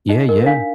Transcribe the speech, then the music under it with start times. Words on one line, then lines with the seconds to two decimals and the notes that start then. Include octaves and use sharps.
Yeah, yeah.
0.09 D#4 D#5
0.29 A#4 D#5
0.46 D4 F5